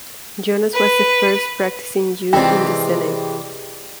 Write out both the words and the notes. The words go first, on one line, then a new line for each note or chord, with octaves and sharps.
Jonas was the first practicing Jew in the Senate.
B4
C3 E3 G#3 C4 D4 F4 G5